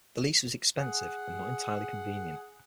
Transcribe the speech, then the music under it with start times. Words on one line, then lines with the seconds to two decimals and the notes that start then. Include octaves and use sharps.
The lease was expensive and not entirely convenient.
0.79 G#4 F#5